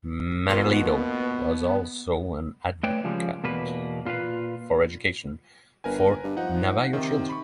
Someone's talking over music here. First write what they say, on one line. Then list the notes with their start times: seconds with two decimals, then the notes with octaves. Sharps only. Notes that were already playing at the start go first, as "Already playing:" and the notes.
Manuelito was also an advocate for education for Navajo children.
0.49 B2 A#3 B3 F4
2.83 A3 B4 C#5 D5 G5
3.04 C#3 F3 G3 G#3
3.44 E2 B2 A#3 B4
4.05 A#2 F4 G4 B4 F5
5.84 G1 A#4 B4 G#5
6.24 G2
6.37 F3 D#4 F#5
6.93 C3 D#3
7.29 B5 C#6